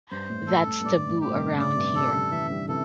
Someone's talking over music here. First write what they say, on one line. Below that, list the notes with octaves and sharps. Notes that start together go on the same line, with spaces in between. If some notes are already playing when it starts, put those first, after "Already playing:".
That's taboo around here.
G2 C5
A2
A2 A4
A2
G2
A2 D5
A2
G4
A2
G2 C3
A2 D3 D5
G2 C3
G2 C3 A4
D3 G3
E3 A3 E5
D3 G3
C3 E3 A4